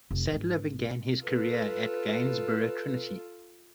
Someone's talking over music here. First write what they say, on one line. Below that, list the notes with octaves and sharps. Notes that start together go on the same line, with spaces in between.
Sadler began his career at Gainsborough Trinity.
F1
G#1
F4 A4 B4